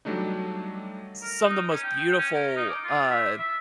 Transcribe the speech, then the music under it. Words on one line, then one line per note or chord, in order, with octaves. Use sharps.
some of the most beautiful, uh
F#3 G3 A3 D4 D#4
A#4
D#4
C#4
G5
G5
C#4
A#4
D#4
D6
F4
E5
E5